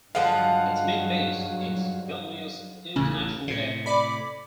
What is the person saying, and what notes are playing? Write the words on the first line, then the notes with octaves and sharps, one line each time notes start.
Its main base is Vilnius International Airport.
G2 D3 F3 F#3 G#3 F5 F#5
A1 E2 C#3
A2 C3
D5 B5